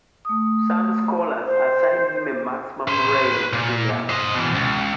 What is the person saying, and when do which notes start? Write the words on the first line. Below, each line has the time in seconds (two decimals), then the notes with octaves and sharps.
Some scholars assign him a maximum reign of two years.
0.25 A3 D#6
1.46 C5
2.88 B4 C6
3.53 A#2
4.09 C5 D#5
4.35 B2 E3
4.55 C#2